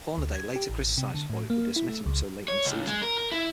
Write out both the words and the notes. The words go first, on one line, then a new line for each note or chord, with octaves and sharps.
Hornaday later criticized Foyt for dismissing him so late in the season.
D2
G#6
G4
A1
C3
D3
A2
A#3
E4
A3
C#2
C#5
C#2
G#3
A#4
A#4
E4